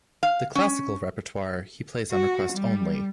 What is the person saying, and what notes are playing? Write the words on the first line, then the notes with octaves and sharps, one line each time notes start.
The classical repertoire he plays on request only.
F5
C#4
F#4
G3